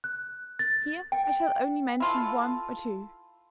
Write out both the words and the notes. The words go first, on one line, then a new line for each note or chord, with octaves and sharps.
Here I shall only mention one or two.
F#6
A6
G5
E4 F4 A4